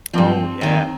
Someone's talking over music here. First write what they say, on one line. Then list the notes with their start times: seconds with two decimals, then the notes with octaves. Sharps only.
Oh, yeah.
0.13 G2 F3 C4
0.61 D#2 D#3